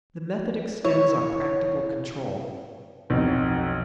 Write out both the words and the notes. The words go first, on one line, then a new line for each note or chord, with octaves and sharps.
The method extends our practical control.
E4 C#5
B1 F2